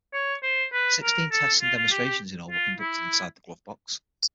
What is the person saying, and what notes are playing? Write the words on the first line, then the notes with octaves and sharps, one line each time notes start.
Sixteen tests and demonstrations in all were conducted inside the Glovebox.
C#5
C5
B4
A#4
A4
F4
F4
G4
G4
F4
E4